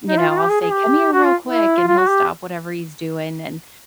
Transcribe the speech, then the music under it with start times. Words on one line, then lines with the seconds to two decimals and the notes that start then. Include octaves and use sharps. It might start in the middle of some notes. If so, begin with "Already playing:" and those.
You know, I'll say, "Come here real quick," and he'll stop whatever he's doing, and
0.09 D#4
0.18 F4
0.30 F4
0.39 G4
0.50 G#4
0.61 G#4
0.71 G4
1.13 F#4
1.24 F4
1.45 E4
1.77 F4
1.88 F4
1.98 F#4
2.08 G4